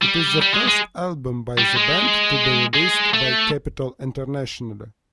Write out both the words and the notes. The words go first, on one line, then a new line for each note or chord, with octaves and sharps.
It is the first album by the band to be released by Capitol internationally.
G3
G3
G#3
G#3
G3
G#3
G#3
A3